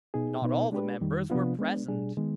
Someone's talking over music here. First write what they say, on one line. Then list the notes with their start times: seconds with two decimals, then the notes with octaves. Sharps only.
Not all the members were present.
0.14 B2 B3 D#4 G#4
0.42 B2 B3 D#4 B4
0.72 G#3 D4 G4 B4
1.01 F2 D#3 G3
1.30 C3 F3 B3 D4 F4
1.59 G#3 B3 D4
1.88 B2 G3 D4 G#4
2.17 D#3 G#3 B3